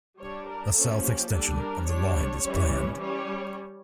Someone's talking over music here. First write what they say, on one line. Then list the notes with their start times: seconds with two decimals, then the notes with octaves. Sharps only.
A south extension of the line is planned.
0.19 G3 D4 C#5
0.47 A#4
0.75 F3 A#3 C#4 A4
1.04 G4
1.31 G3 D4 A4
1.60 A#4
1.87 G3 D4 C#5
2.44 E3 G3 C#4
3.00 G3 C#4 C#5